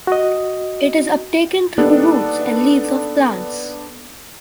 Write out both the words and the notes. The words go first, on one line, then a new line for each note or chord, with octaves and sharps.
It is uptaken through roots and leaves of plants.
F#4 D#5
A#3 B3 D4 D#4 G4 A4